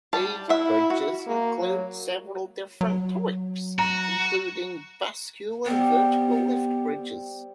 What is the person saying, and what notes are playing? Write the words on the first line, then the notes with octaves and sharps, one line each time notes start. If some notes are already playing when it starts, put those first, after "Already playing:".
These bridges include several different types, including bascule and vertical lift bridges.
G3 A5
E4 E5 F#5
F#4
A#3
F#3
F#3
F#4 A#5
G3 B3 C4